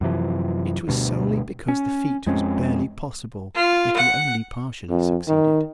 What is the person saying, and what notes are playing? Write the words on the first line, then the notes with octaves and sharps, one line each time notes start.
It was solely because the feat was barely possible that he only partially succeeded.
F#2 C3 E3 F3
D2 G2 B2
C#4
F2 G#3 C4 C#4
F4
F#5
F2
D#3